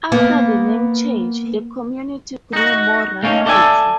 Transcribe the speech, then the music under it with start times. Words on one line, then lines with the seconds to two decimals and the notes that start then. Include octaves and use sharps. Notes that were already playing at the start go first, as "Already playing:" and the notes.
After the name change, the community grew more rapidly.
0.12 A#3 B3
2.53 D#4 F#4
3.23 A3 A#3 C#4 D#4
3.46 A4 D5 E5 F#5 G#5